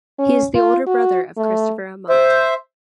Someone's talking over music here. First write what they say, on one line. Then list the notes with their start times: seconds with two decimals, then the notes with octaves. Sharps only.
He is the older brother of Christopher Amott.
0.19 C#4
0.55 F4
0.87 F#4
1.37 A3
2.09 C5 E5